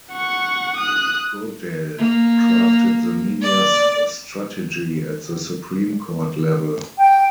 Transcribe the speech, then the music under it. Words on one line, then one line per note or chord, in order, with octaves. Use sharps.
Goodale crafted the media's strategy at the Supreme Court level.
F#5 C#6
D#6 F#6
A#3
D5
G5